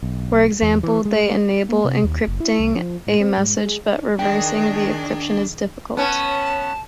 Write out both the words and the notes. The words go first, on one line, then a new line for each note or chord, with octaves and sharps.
For example, they enable encrypting a message, but reversing the encryption is difficult.
B1
E2
E3
G#3
A#3
C3
D#2
F#1
E4
C2
F3
A2
C4
G#2
G#3
D#3 D4 G#4 G5
B3 C#4 A5